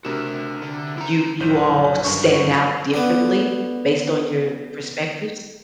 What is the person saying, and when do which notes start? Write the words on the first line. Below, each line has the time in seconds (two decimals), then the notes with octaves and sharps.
you you all stand out differently based on your perspectives?
0.05 C3 D4 F#4 A#4 E7
0.62 D3
0.98 E4 A#5
1.40 A#1 F#2 C5 G6
2.05 G2 D#3 C#6
2.94 D3 B3